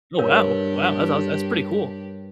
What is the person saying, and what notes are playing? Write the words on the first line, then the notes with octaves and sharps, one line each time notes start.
Oh wow, wow, that's awes that's pretty cool.
G2 D4 G4 A#4 B4 C#5